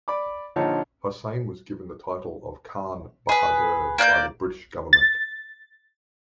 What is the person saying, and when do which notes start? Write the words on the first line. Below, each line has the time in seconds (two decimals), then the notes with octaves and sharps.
Hossain was given the title of Khan Bahadur by the British Government.
0.08 D5 B5 D6
0.56 A#1 D3 F3 D#4 C#5 A5
3.29 G#4 B4
3.98 A#3 D5 F#6 G6
4.93 A6